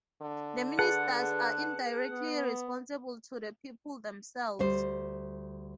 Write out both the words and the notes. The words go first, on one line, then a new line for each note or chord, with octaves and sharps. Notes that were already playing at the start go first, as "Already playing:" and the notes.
The ministers are indirectly responsible to the people themselves.
D3
G#4 B4 F#5 A5
B3
D2 G3 C5